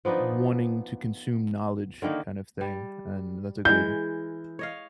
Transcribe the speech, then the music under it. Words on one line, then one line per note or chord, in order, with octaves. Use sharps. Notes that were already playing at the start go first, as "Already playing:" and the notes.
wanting to consume knowledge kind of thing, and that's a good
F3 B3 D4 D#4
D3 D#3 A#3 D#4
G3
E3 G#3 G6
C#5 D#5 F5